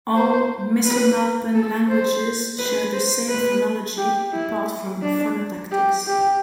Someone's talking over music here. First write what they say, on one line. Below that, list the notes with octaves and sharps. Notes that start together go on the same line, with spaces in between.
All Misumalpan languages share the same phonology, apart from phonotactics.
C5
B4
A4
C5
B4
C5
B4
G4
E4
D4
G4
G4